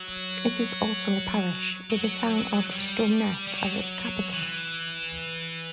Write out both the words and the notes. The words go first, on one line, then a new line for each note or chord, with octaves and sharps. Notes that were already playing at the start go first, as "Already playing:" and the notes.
It is also a parish, with the town of Stromness as its capital.
Already playing: F#3
F#3
G3
G3
F#3
E3